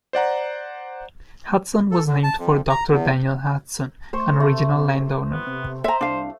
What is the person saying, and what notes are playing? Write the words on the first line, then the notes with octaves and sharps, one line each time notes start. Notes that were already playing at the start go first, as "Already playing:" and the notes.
Hudson was named for Doctor Daniel Hudson, an original landowner.
C5 D5 F#5 A#5
A4
D3
A5
F2
A#5
E2
A3 C5 C6 C#6
C3 A3
G1 B3
C3
C5 E5 A#5
C2 D4 F5